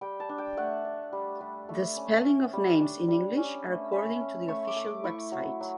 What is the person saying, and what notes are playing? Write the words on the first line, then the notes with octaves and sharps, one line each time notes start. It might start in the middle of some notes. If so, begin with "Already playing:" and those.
The spelling of names in English are according to the official website.
G3 G5
A5
D4
G5
A3 F#5
D4
G3
G3
A3
C#4
C#4
G3
D4
G3
C#4
A3
C#4 B5
C#4
A3 C#6
D6
A3
D6
E4 C#6
F#3
F#3